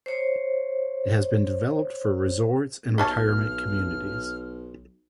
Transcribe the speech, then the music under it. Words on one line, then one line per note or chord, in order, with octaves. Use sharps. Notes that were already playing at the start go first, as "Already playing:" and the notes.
It has been developed for resorts and retirement communities.
C5 C#5
B1 B4 C#5 A5 F6